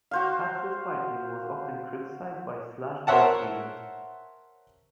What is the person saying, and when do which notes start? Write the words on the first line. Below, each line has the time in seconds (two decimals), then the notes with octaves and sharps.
Katz's writing was often criticized by "Slashdot" readers.
0.11 F#4 C5 F5
3.07 A#4 C5 C#5 E5 F#5 A5